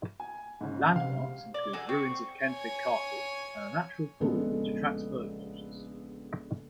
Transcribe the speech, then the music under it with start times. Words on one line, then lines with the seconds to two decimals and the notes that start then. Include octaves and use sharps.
Landmarks include ruins of Kenfig Castle, and a natural pool which attracts birdwatchers.
0.20 G#5
0.61 G#2 C#3
0.96 C3 F5
1.54 D5
1.73 F#3 G#4 A4
1.89 C4 C#6
2.47 C#5 G#5
4.20 A#1 C#3 G#3 B3 A4